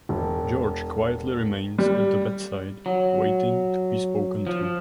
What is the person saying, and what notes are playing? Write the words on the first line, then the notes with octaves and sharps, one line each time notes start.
George quietly remains at the bedside, waiting to be spoken to.
E1
G3
F#3
F3